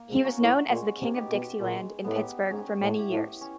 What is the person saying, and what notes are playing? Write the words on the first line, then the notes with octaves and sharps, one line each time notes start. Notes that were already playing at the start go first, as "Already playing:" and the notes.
He was known as the "King of Dixieland" in Pittsburgh for many years.
Already playing: A#3
G#2
C#4 F#4 A#4
A2
A#2 G#3
C3
B3 D#4 G4
B2
A#2 G#3
A2 B3 D#4 G4
G#2 C#4
A2
E4 G4
A2
C#4